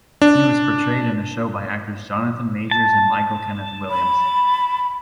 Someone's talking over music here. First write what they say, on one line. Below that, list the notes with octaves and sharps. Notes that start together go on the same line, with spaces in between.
He was portrayed in the show by actors Jonathan Majors and Michael Kenneth Williams.
D4
A5
B5